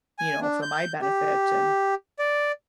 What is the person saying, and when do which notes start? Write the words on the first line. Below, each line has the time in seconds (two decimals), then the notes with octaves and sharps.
you know, for my benefit, and,
0.19 G#5
0.41 D4
0.62 G6
1.02 G4
2.19 D5